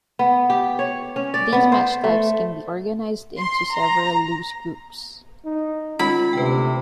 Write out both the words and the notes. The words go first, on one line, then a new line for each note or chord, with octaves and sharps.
These match types can be organized into several loose groups.
B3
G4
C#5
C#4
D5
B3
C5
A3
C6
A#5
D#4
D#3 G#3 C#4 F4 B5
D2 C3 B4 G5